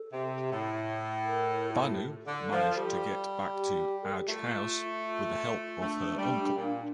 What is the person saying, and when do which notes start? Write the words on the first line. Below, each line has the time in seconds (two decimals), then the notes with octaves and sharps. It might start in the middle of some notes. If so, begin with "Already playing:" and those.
Bhanu managed to get back to Aj house with the help of her uncle.
Already playing: A4
0.12 C3
0.50 A2
1.26 A#4
1.70 E4
1.80 F4
1.91 G4
2.01 A4
2.26 D3
2.51 F3
2.77 G3
3.52 G4
4.03 A#4
4.11 A4
4.20 G4
4.28 A3 F4
5.04 F4
5.79 A3 D4
6.17 G3
6.56 A#2